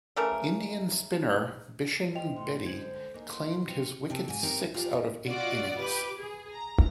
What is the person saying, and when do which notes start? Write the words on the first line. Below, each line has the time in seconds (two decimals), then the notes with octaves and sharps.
Indian spinner Bishen Bedi claimed his wicket six out of eight innings.
0.16 C#3 E3 A3 A#4
2.15 F3 G3 E4 D#5 G5 F7
2.36 A2 C6
2.66 D3 G#3 C4 C5 G#6 F#7
3.14 A#3 D#4 G#4
3.30 C6
3.68 G2 E3 C4 C#7 F7
4.10 C3 C4 A4
4.28 G#2 G#5
4.43 C4 D#4 G4 A#4 B4
4.74 F4 G4 G#4 C#5 D5 A#5
4.93 A#2
5.27 F4 F#4 D5 D#5 F#5
5.79 G4 B4 D6
6.18 G#4
6.53 A#5